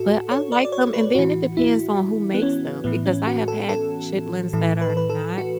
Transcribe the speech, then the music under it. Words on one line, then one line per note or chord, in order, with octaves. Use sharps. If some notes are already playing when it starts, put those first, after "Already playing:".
but I like them and then it depends on who makes them because I have had chitlins that are not
Already playing: A2 F#4 A4
C#5
D5
D5
C#5
B4
A2 E3 F#4
E4
B3
C#4
A2 E3 B3
C#4
F#4
A4
A4
A2 E3 A4
B4
A4
B4
A4
F#4